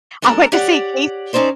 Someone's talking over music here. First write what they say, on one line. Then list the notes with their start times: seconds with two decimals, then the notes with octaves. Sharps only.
I went to see Keith
0.22 G#3 D4 A4 A#4
0.52 G4 C#5 D5 F#5
1.33 C#4 D#4 A4 C5 D5